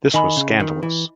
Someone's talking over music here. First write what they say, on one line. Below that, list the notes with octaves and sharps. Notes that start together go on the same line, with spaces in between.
This was scandalous.
D#3 D#5 G#5 B5
C#3
D#3
E3